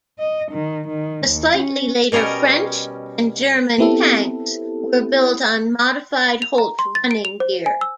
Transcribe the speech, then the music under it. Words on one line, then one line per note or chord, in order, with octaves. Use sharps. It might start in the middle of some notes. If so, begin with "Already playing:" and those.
The slightly later French and German tanks were built on modified Holt running gear.
D#5
D#3
D#3
D#2
C#4
B2 G3 C#4 A#4 D#5
B3 C4 E4 G4 A4
F7
A#5
C6
A6
D7
F7
C5
G#5
E6